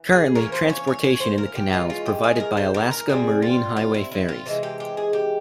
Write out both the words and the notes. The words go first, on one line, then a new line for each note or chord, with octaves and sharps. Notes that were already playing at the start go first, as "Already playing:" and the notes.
Currently, transportation in the canal is provided by Alaska Marine Highway ferries.
Already playing: E3
G#4
E3 A#3 C#4 A#4
C5
C#5
C#5
C#5
C5
A#4
G4
E3 G#3 C#4 F4
F4
G4
G#4
G#4
A#4
C5
A#4
A#4
C3 G3 C4 G#4
F4
F4
E4
E4
F4
C3 E3 G#3
G4
G4
G#4
G4